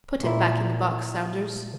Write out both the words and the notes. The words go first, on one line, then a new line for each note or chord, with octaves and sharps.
Put it back in the box, Saunders.
A#2 E4